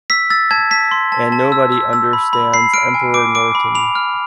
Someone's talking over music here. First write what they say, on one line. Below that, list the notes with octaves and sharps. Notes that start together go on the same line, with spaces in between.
And nobody understands Emperor Norton.
E6 B6
E6 A6
A5 G#6
A5 B6
C6
A5
A5
E6
E6
E6
B5
B5
B5 C7
F6 D7
G#5
D6 D7
D6 D7
B5
B5 F7
F6